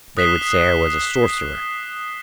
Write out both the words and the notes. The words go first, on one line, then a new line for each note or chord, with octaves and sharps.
'They would say I was a sorcerer.
D#6 F#6 B6 C7 E7 G7